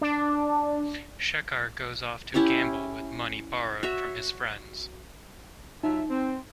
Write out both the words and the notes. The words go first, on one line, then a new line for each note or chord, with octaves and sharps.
Shekhar goes off to gamble with money borrowed from his friends.
D4
C#4 E4 G4 C#5
F#4 C#5 E5
F#3 D#4 F4 E5
C4